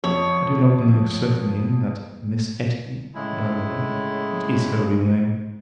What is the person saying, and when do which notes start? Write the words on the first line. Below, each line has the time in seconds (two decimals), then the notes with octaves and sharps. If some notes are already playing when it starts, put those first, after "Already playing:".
I do not know certainly that Miss Etty--By the way, what is her real name?
0.04 F2 C#5
3.15 A2 C#3 G#3 E4